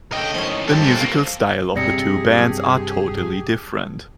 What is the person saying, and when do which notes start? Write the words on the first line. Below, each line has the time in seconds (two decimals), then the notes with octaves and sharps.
The musical style of the two bands are totally different.
0.12 D2 C#3 A3 D#5 G5
0.34 A2 D#3 F3 G#3 C#4
0.68 F3 C4 G4 A4 G5
0.81 G2 G#3
0.94 D3 A#3
1.76 G2 C3 G4 G#4 D5 A#6 C#7
2.38 F#3 A5